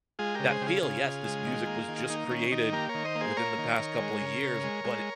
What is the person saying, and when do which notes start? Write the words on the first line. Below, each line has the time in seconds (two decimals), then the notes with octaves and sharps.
that feel, yes, this music was just created within the past couple a years, but it
0.19 G#3 F4 G#4
0.35 C#3 G4 A#4
0.51 G#4 C5
0.61 C#3 G4
0.66 F4 G#4
0.82 C#3 F4 G#4
1.04 C#3
1.25 G#3
1.46 D#3
1.67 A#3
1.88 D#3
1.98 F4
2.10 A#3 D#4
2.31 D#3 C#4
2.52 D#3 D#4
2.73 A#3 G4 A#4
2.89 A#4 C#5
2.95 D#3
3.05 C5 D#5
3.15 A#3
3.21 G#4 C5
3.37 A#3 A#4 C#5
3.58 D#3
3.79 D#3
4.00 G#3
4.21 C#3
4.43 C#3
4.64 G#3
4.84 G#3